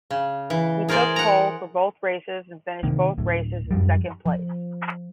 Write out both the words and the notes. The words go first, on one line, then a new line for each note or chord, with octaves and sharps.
He took pole for both races and finished both races in second place.
C#3
E3
G#4 A#4 C5 D5 G#5
F#5 A#5
C3 D#3 A#3
D1 A2
F#2 F3 G3
F3